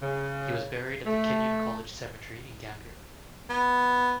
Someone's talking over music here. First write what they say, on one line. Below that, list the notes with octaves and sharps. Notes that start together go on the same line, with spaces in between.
He was buried at the Kenyon College Cemetery in Gambier.
C#3
A3
B3